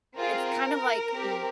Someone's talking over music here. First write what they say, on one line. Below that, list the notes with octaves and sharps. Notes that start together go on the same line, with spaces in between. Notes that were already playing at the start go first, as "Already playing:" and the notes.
it's kind of like, m
C4 F4 G#4 A#4
C4 G4